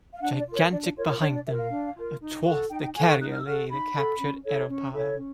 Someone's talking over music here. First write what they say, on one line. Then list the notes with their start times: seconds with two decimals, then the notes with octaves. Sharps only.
Gigantic behind them, athwart the carrier lay the captured aeropile.
0.13 F5
0.20 D4 F#5
0.37 D5
0.46 F4 A#4
0.55 C#5
0.71 D4 D5
0.83 D5
0.96 F4 A#4 C#5
1.07 C#5
1.20 D4 C#5
1.33 D5
1.45 F4 A#4 E5
1.57 F5
1.70 D4
1.95 F4 A#4
2.20 D#4
2.45 F#4 A4
2.69 D#4 G5
2.82 G5
2.94 F#4 G#5
2.98 A4
3.07 C#6
3.19 D#4 F#6
3.32 F6
3.39 E6
3.44 F#4 F6
3.47 A4
3.69 D#4 B5
3.94 F#4 A4
4.19 C#4
4.43 E4 A4 C#5
4.69 C#4
4.94 E4 A4 C#5
5.17 C#4